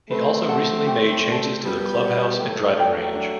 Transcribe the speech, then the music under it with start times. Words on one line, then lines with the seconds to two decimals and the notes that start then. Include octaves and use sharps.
He also recently made changes to the clubhouse and driving range.
0.11 A3 C4 B4
0.49 F#5 A5
0.87 G4
1.25 D5 A5
1.63 G3 B3 A4
2.01 D5 F#5
2.39 F#3 A3 G4
2.77 D5 G5
3.15 D4